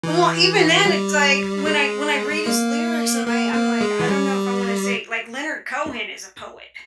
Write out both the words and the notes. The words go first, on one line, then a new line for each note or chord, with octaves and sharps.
Well, even then it's, like, when I when I read his lyrics and I I'm, like, I don't know if I wanna say, like, Leonard Cohen is a poet.
E3
G3
G#3
A#3
A#3
A#3
G#3
E3
G3